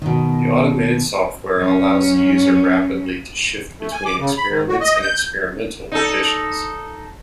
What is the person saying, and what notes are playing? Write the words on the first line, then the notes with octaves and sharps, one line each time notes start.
The automated software allows the user rapidly to shift between experiments and experimental conditions.
B2 D#3
F#2 C#4
A3
G#5
D6
C#3
B5
D#3
F#4
D#5
G6
D#4 A4